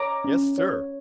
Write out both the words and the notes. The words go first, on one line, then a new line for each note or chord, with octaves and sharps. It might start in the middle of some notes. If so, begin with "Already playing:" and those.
"Yes, sir!"
Already playing: C#5 A#5 D6
C#4
C#5